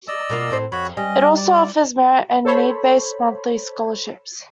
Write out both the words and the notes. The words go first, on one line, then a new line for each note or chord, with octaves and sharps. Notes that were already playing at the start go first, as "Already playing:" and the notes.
It also offers merit and need-based monthly scholarships.
D5 D#5 E6
B2 A#3 F4
A2 C4 C5
F2 F#4 C#5 B5
G3 C#4 D#5
D5
A4 C5 C#5 B5